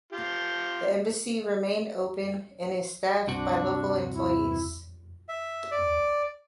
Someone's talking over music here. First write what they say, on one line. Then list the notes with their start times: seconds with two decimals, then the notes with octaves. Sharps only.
The embassy remained open and is staffed by local employees.
0.12 F4 G4
3.27 G2 C3 D4 F#4
4.11 E4
5.29 E5
5.71 D5